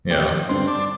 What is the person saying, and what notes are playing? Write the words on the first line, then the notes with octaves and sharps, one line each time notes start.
you know
A1 G4
G2 D3 G3 C4
D4